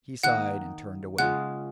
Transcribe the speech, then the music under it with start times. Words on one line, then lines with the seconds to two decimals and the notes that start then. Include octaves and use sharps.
He sighed and turned away.
0.23 D#3 A#3 D#4 F#5 F#6
1.18 C#3 G#3 C#4 F4 F#5 F#6